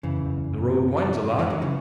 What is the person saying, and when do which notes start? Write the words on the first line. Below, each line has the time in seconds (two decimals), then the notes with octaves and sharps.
The road winds a lot.
0.03 F#2 C#3 E3
0.15 E2
0.26 F#2
0.38 E2
0.54 F#2
1.38 F#2 E3 G#3
1.50 D#3 F#3
1.62 C#3 E3